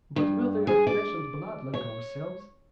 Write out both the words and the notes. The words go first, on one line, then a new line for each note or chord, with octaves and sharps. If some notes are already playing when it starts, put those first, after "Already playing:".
But were they of flesh and blood, like ourselves?
G2
G#4
D5
C#5